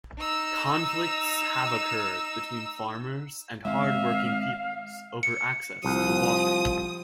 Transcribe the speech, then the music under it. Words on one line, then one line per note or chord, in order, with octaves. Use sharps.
Conflicts have occurred between farmers and hardworking peoples over access to water.
D#4 E6
G#3 C4 E5 F5
C#7
C2 F3 D#6